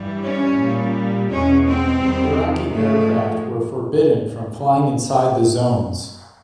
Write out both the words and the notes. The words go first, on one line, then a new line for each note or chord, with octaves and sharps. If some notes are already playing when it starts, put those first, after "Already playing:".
Iraqi aircraft were forbidden from flying inside the zones.
Already playing: G2 E3 G3
C#4
A#2 G3
E2 B2 G#3 C#4
C4
E2 C3 D#3 G3
G#2 F3 G#3 A3